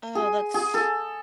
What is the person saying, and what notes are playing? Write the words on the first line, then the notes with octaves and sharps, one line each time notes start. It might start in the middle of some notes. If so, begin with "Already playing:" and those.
Oh, that's
G#4
G#4
A4